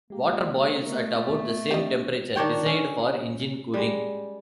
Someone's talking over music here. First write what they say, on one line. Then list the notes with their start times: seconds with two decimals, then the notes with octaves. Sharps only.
Water boils at about the same temperature desired for engine cooling.
0.10 G#3 A#3 G4
0.87 A3 B3 A#4 D#5
1.71 C4 D4 G4 D5 D#5
2.36 D#3 D4 C#5 G5
2.66 C#4
3.74 G3 G#3